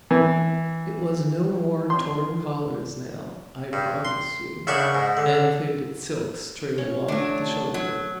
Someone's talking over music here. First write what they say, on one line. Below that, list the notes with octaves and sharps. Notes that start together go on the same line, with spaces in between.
It was no more torn collars now, I promise you, and faded silks trailing off at the shoulder.
E3
C6
G2
C6
F#2 C#3 D4 B5 C#6
G#2
D3
C#4
F#3 A3 D4
F#3